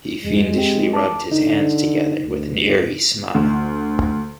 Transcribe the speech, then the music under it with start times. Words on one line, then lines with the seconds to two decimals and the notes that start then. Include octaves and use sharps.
He fiendishly rubbed his hands together with an eerie smile.
0.24 F2 G#3
0.57 C4 G4
0.93 A5 D6
1.32 D3 D#4
2.26 D2
3.35 D2